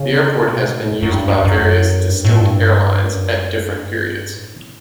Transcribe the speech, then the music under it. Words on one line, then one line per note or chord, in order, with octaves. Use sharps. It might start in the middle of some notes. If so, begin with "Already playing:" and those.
The airport has been used by various distinct airlines at different periods.
Already playing: C#3
B2
A2
F#2
F#2
G2
F#2
F#2
G2
A2
G2
F#2
G2
A2